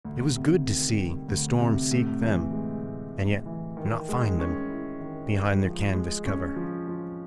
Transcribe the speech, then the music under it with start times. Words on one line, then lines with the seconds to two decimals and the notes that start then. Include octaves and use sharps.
It was good to see the storm seek them, and yet not find them--behind their canvas cover.
0.05 D2
0.36 C3
0.66 D#3
0.97 G3
1.28 D2
1.59 C3
1.91 A2
2.22 E3
2.53 G#3
2.83 A2
3.15 A2
3.46 E3
3.77 D#3
4.09 G#3
4.39 C#4
4.70 E4
5.01 D#3
5.33 G#3
5.63 F3
5.94 G#3
6.26 C#4
6.56 F3
6.87 F3